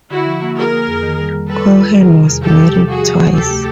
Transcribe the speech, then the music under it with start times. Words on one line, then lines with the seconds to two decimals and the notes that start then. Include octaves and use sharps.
Cohen was married twice.
0.10 D3 E4 F#4
0.26 F3
0.42 A#3
0.56 A#3 G#4 A#4
0.72 A#3
0.87 F2
1.03 D#3
1.18 G3
1.34 G3
1.49 G3 A4 B4
1.65 F4
1.80 G3
1.95 D#3 G#4 A#4
2.11 C3
2.26 E2
2.42 C3 G4 A4
2.57 G3
2.73 C3
2.88 F3 F#4 G#4
3.04 F3
3.19 D2
3.34 C3 G4 A4
3.49 A3